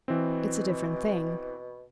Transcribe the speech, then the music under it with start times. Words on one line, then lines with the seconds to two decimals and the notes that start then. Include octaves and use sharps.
It's a different thing.
0.08 B2 E3 C4